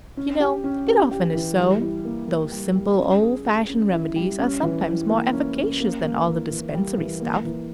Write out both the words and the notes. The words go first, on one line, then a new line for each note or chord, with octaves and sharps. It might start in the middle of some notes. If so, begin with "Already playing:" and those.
You know, it often is so--those simple, old-fashioned remedies are sometimes more efficacious than all the dispensary stuff.
C#4
G4
C#4
G4
G4
E3
G3
E4
A#3
A#3
G3
G3
C#4
G#4
G#4
C#4
E4
G3
C#4
E3
E4
A#3
C#4
C#4
A#3
A#3
E3
E3
G3
E3
A#3
E3